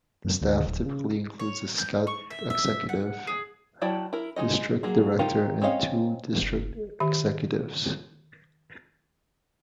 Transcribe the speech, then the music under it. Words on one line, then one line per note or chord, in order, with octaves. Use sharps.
The Staff typically includes a Scout Executive, District Director and two District Executives.
F#2
D2
D1
C#3
C#5
G6
C#6
E5
E5
F#5
G#4
F#3 E4 D5 G5 A5
E4 A#4
G#3 C4 D#4 D#5
F#3 A#3 G#4
D#4 F4 G4 A#4 F5
C4 C#4 C#5 D#5 F5
F#1
D#3 G4 E5